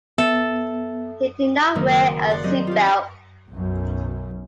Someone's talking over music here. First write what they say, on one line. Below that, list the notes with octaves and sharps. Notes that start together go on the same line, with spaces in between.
He did not wear a seatbelt.
B3 A4 E5
F#1 D#3 A#3 A#4
D5 F#5 C6
F#3 C4 G4 D#5
F4 G4
B1 F#2